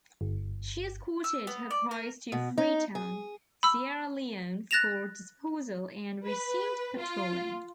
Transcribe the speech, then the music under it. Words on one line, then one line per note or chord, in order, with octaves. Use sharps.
She escorted her prize to Freetown, Sierra Leone for disposal and resumed patrolling.
G1
E6
B3
D5
A#4
B2
D#4
G#4
B5 E6
F#6 A6 A#6 E7 F7
B4
F4